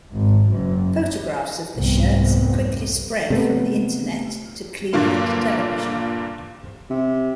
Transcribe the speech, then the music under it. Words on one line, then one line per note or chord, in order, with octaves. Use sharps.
Photographs of the shirts quickly spread from the Internet to Cleveland television.
G#1
F#1
F1 C2 G#2 C3 B3 C4
C3 A3 B3
G2 A#2 D3 A#3 F4
C3